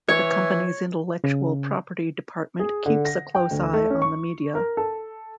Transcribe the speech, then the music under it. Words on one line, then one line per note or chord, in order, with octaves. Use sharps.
The company's intellectual property department keeps a close eye on the media.
E3 C#5
C#3
G#4
D3
A#6
G5
D2
A3
C#4
C#6
A#4
A4